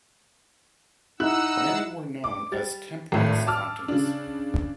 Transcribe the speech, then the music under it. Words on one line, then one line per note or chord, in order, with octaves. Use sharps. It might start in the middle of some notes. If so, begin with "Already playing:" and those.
Many were known as temperance fountains.
D#4 E4 F#5 E6 F#6
D6
G3 A6
G#1 A2
A5 D6 E6 F6
C#3 D4